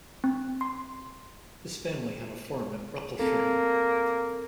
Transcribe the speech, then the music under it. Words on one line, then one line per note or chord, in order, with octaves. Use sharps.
His family had a farm at Wrecclesham.
C4
C6
A#3 C4 A4